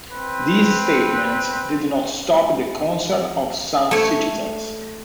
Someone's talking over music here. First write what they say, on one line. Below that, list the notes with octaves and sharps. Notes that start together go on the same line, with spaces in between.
These statements did not stop the concern of some citizens.
C4 B4
A3 C#5